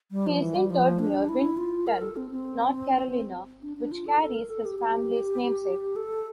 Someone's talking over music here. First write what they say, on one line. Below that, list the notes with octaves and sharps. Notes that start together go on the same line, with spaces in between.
He is interred near Winton, North Carolina, which carries his family's namesake.
G3
F3
E3
G3
F3
D4
E4
F4
A#4
A4
C4
C4
D4
D4
F4
A4
A4
A#4
A4
G4
G4
A4